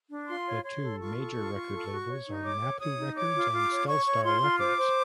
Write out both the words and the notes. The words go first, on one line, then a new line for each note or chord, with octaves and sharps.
The two major local record labels are Napu Records and StelStar Records.
D4
F4 C6
C#5
C#5 C6
A4
F4 C#6
A4
F4
F4
A4
F#4
C#5
D#4
C#5 D6
C#5
C#5 D#6
D#4
C#5 D6
F4
F4
C#5
C#5 C#6
C#5
F4 C6
F4
C5 D6
C5